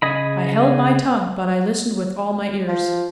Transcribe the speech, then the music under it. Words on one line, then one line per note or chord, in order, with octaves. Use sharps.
I held my tongue, but I listened with all my ears.
C#3 G#4 D#5 B5
F3